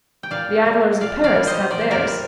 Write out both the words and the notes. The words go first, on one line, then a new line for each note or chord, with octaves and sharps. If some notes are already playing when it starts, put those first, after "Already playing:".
The idlers of Paris had theirs.
G5
A#2 D5 F5
G3
A#2 D5 F5
D5 F5
G3
C5 D#5
A#2 D5
C5
A#4 D5
G3